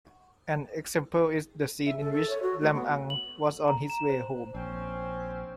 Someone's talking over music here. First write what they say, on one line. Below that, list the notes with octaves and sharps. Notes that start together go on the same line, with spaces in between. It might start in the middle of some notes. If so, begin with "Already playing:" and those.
An example is the scene in which Lam-ang was on his way home.
E5
A4
A4
C#5
F#4
A3
B3
F#7
A#5
E7
C5
A#1 C4 C#4